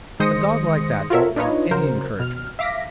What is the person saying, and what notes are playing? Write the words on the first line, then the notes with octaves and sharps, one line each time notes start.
A dog like that don't want any encouragement.
D#3 G#3 C5 D#6 A#6 C#7
F4 F#4 A4 A#4 C#5 E5
D4 D#4 F4 B4 C#5 D#5
C#3 F#3 A#4 C5
B2 F6
E5 F5 D6 A#6 B6